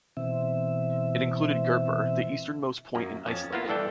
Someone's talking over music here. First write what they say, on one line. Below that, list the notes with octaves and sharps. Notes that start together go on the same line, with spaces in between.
It included Gerpir, the easternmost point in Iceland.
B2 E3 C4 E5
F#2 A#3
F2 C#4 A5
A#3 B3 E4 F4
G2 E3 D4 A4 G5